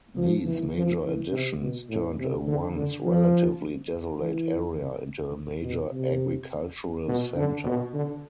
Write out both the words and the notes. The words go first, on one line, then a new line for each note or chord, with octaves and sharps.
These major additions turned a once relatively desolate area into a major agricultural center.
F3
E3
F3
E3
C3
B2
A2
C3
D3
D3
F3
E3
B2
C3
B2
D3
B2
D3